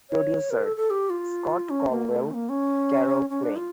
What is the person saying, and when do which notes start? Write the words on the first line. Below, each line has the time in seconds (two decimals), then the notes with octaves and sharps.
Producer: Scott Colwell, Carol Klein.
0.10 C#5
0.50 A#4
0.64 A4
0.76 A4
0.90 G4
1.10 F4
1.70 C#4
1.90 A#3
2.10 A3
2.30 C#4
2.34 A#3
2.49 C#4
3.30 C#4
3.43 D4
3.56 F4